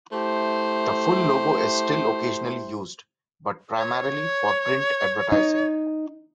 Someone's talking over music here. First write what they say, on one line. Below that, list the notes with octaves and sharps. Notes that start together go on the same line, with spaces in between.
The full logo is still occasionally used, but primarily for print advertising.
A3 E4 G4 C5
C#5
D#4